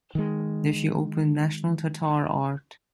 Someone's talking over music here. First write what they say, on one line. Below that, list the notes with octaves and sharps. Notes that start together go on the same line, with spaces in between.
There she opened national Tatar art.
D#3 G#3